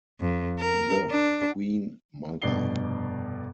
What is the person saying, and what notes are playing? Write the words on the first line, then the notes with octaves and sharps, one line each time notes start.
The Queen Mother.
F2
A#4
D4
F1 G2 B2 D5 C7 G7